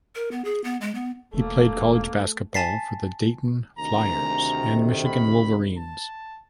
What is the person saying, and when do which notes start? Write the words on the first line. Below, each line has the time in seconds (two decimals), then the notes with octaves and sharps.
He played college basketball for the Dayton Flyers and Michigan Wolverines.
0.15 A#4
0.31 B3
0.45 G#4
0.64 B3
0.81 G#3
0.95 B3
1.34 E1 A3 A#3
2.54 G#5 A5 A6 B6 C7
3.78 D2 C3 D#3 A#5
5.05 B5
5.77 A5